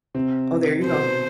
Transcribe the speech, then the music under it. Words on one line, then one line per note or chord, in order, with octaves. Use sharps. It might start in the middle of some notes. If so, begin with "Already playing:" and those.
Oh, there you go.
C3 C4
B2 B3 C5